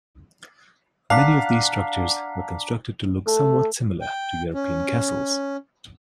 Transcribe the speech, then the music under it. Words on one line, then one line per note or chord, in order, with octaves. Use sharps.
Many of these structures were constructed to look somewhat similar to European castles.
D4 F5 F#5 A#5 B6
A3
G5
C#4